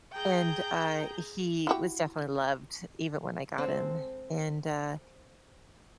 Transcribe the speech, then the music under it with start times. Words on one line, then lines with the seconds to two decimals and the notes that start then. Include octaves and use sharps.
and, I he was definitely loved, even when I got him. And, uh,
0.12 G#4 G5 A#5 G6
1.67 E4 F#4 G4
3.58 G#3 C4 A4